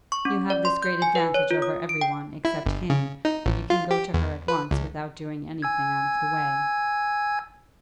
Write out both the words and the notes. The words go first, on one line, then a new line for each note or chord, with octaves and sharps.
You have this great advantage over every one, except him, that you can go to her at once without doing anything out of the way.
C#6
C#4
D5
C6
G6
G#5
B4
C#5
F4
D#6
D7
G5
E4
G1
C#3
D#4
A1
F4
G4
E2
B4
C#2
G#5 E6 G#6